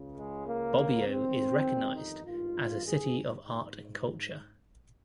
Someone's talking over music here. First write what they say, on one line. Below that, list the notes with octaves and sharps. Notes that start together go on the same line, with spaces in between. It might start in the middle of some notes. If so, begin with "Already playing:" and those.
Bobbio is recognized as a "City of Art and Culture".
Already playing: C#2 C#3
G#3
A#3
G1 F2 D#3 C4
D#4
G#1 G2 D#3 F4
G#4
G#2